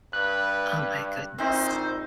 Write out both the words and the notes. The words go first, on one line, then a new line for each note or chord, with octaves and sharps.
Oh my goodness.
G2 B4 F#6
A#1 C4 D#4 C5